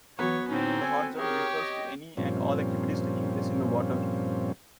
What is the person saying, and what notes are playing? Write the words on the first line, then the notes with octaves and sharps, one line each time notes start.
The Hot Zone refers to any and all activities taking place in the water.
E3 F#3 B3 C#5
A2 D3 C4 C#4 D#4
A4 G#5
D#4 G4 G#4 A#4 C#5
D#5 G5
G2 A#2 F3 C4 C#4